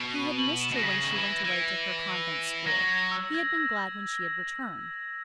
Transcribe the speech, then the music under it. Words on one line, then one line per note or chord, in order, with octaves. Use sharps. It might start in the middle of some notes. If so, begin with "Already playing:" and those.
He had missed her when she went away to her convent-school; he had been glad when she had returned.
Already playing: B2
D#7
F#7
E7
B2 A#6
C#3 B6
D#3
E3
E3
F#3 A#6
A#6
G#6
E6
G#6
G#6